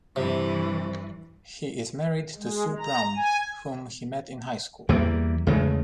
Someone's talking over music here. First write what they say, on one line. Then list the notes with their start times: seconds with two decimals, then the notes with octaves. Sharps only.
He is married to Sue Brown, whom he met in high school.
0.16 G2 C3 E3
2.37 G#3
2.78 A#5
3.16 G#5
4.89 E2 E3 G3 A#3
5.47 E2 C#3 G#3 A3